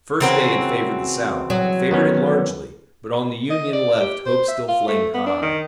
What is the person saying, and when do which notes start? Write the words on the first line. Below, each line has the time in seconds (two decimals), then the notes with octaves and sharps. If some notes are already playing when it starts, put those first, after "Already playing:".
The first day had favored the South, had favored it largely, but on the Union left hope still flamed high.
0.20 C#3 E3 C4 F#4 A#4 G5
1.50 F#3
1.91 D#3 B3 C#4
3.50 D#5
3.73 D5
4.00 G4
4.26 C5
4.48 E5
4.68 F4
4.88 A3
5.14 B3
5.26 D4
5.42 D#3